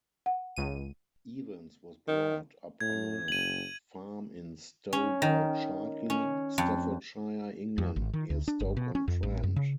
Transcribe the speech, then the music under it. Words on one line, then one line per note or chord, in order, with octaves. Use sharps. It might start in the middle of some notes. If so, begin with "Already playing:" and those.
Evans was brought up on a farm in Stowe-by-Chartley, Staffordshire, England, near Stoke-on-Trent.
F#5
C#2 D#7
D#3
A2 G#6
F#1 D#7 F#7
C#4
D#3
C#4
F2
F2
G#1
D#3
D2
D4
G1
B2
C#4
F2
A1
F#2
C#3